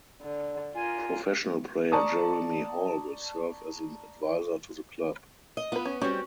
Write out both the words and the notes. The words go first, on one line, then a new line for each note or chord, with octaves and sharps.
Professional player Jeremy Hall will serve as an advisor to the club.
D3
F4 A#4 D5 G#5
D5 A5 A#5 C#6 D#6
D#5
B3 F4 B4
C#4
G3 C4 C#4 F#4